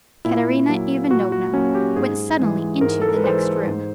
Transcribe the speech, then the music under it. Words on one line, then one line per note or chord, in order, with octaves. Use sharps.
Katerina Ivanovna went suddenly into the next room.
A#2 E4
F#3 A#3
A#2 F#4
F#4
F#3 A#3 C#4
G4
G#2 G#4
E3 G#3
G#2 A#4
A4
A#4
B4
E3 G#3 C5
G#2